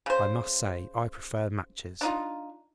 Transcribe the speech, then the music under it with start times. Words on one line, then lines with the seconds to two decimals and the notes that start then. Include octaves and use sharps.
I must say I prefer matches.
0.06 C#3 C5
2.01 D4 D#4 F4